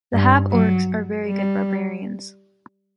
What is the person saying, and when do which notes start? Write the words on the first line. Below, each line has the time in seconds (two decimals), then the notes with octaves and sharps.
The Half-Orcs are very good barbarians.
0.13 G2
0.51 F#3
1.27 G3